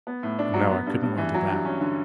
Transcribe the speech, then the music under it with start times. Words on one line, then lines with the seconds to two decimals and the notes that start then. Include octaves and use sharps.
No, I couldn't well do that.
0.07 B3
0.23 A2
0.39 D4
0.54 F#3
0.71 B3
0.87 G2
1.02 G2
1.18 E3
1.34 F#3
1.50 G2
1.65 C#4
1.81 D3